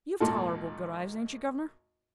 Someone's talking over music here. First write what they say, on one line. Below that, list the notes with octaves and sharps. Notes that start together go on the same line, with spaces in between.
'You've tolerable good eyes, ain't you, Governor?
G#1 D#2 A#2 A4